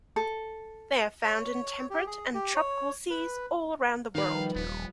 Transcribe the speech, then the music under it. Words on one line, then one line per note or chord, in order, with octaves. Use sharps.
They are found in temperate and tropical seas all around the world.
A4
C#5
G4
G#4
G4
C#5
B4
D#3 F3 G3 D#4 B4 F5
D#1 B3